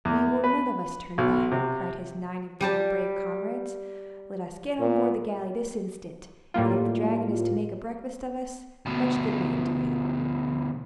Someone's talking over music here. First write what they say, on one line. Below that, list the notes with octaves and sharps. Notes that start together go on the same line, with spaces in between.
"We will none of us turn back!" cried his nine and forty brave comrades. "Let us get on board the galley this instant; and if the dragon is to make a breakfast of us, much good may it do him."
E2
B4
B1
C3
G3 G4 A5
A#2
A2 G3 A#3 F4
D2 B2